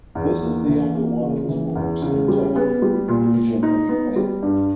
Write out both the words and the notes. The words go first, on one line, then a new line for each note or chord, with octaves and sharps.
This is the only one of his works in the Tohoku region of Japan.
E2
A#3
E3
A#3
C#3
E3
E2
C#3
G3
B3
G3
A#2
A#2
D#4
B3
G3
G2